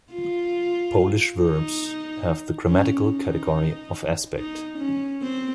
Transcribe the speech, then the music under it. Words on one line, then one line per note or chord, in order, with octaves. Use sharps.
Polish verbs have the grammatical category of aspect.
F4
D#4
C#4
D#4
D#4
C#4
C4